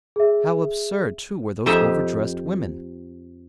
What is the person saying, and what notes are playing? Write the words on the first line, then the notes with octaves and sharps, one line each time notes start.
How absurd, too, were those overdressed women!
G#4 E5
F2 G4 C5 D#5 E5 A#5